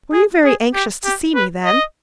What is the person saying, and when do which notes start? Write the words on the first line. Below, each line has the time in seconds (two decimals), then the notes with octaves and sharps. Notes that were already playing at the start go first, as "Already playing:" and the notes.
"Were you very anxious to see me, then?"
0.13 G#4
0.45 G#4
0.74 G4
1.05 G4
1.35 B4
1.65 D#5